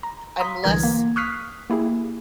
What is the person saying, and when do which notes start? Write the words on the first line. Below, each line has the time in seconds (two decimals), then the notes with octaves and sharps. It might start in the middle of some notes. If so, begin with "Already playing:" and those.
I'm less,
0.03 A#5
0.39 F5 A#5 C6 D#6 B6
0.64 C2 D3 E3 A#4 A#5 G#6
0.83 A#3
1.16 C#6 D#6 F6 F#6 B6 C7
1.70 A#3 E4 G4 G#4